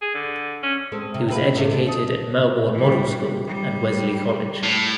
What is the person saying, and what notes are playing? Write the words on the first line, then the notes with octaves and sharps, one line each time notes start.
He was educated at Melbourne Model School and Wesley College.
G#4
D3
C#4
G#3 C4 A4
C3
C3 A#3 B4
A2 C3 A3
D4
A4 D#5
E3 G3
G3
A2